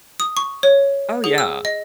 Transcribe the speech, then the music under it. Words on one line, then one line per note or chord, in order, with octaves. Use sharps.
Oh, yeah.
D#6
C#6
C#5
G#4
E6
D#5